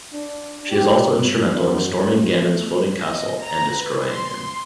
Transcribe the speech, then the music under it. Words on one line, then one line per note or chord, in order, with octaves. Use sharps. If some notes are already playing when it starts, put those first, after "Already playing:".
She is also instrumental in storming Ganon's floating castle and destroying him.
D4
G4
G2
F#2
F#2
A3
D#5
A#5
B4
C6